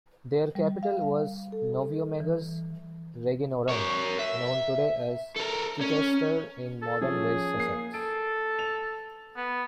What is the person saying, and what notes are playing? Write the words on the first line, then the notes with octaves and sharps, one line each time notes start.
Their capital was "Noviomagus Reginorum", known today as Chichester in modern West Sussex.
G3
F5
A4
E3
A#4 C#5
E5
A4 A#4
C#4
A4
F3 C#4 G#4
A#3 C7
A4 D7
F7
B3